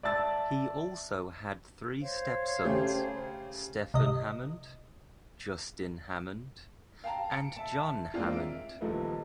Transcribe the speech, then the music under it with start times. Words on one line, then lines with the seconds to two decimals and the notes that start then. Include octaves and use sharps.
He also had three step sons, Stephen Hammond, Justin Hammond, and John Hammond.
0.03 D5 E5 A5 E6 A6
2.02 C5 C#5 F5
2.64 C#3 A3 G4
3.94 C2 D#5
7.04 F5 G5 A5 A#5
7.31 C#7 D7
7.56 E5 A5
8.14 G#3 A#3 C4 D4 F4
8.33 E5 D7
8.81 D#1 F3 A3 D#4 B4